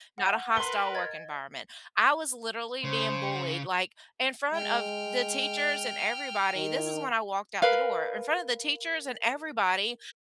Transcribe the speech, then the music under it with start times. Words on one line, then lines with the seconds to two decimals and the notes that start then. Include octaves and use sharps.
not a hostile work environment. I was literally being bullied, like, in front of the teachers and everybody- this is when I walked out the door. In front of the teachers and everybody,
0.18 F#5
0.57 A#4 B4 C6 G7
0.95 D#5 G#6 A6
2.85 C#3 C5
4.54 G#3 G5 F6
6.55 D#3
7.62 A#4 B4 F5